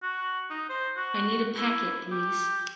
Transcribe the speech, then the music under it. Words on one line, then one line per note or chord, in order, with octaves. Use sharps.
I need a packet, please.
F#4
D#4
C5
F#4
E4
G4